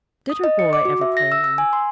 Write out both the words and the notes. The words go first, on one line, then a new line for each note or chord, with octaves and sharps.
Did her boy ever pray now?
D#6
D#5
C#7
D6
F#4
E5
A#6
E6
E6
G#5
C6